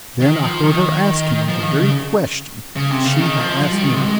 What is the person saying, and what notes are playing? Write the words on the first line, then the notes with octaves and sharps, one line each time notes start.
Then I heard her ask him the very question she had asked me.
D#3
F3
D#3
F3
D#3
C#3
C#3
C3
C#3
D#3
F3
F3
G3
D#3
C3
G#3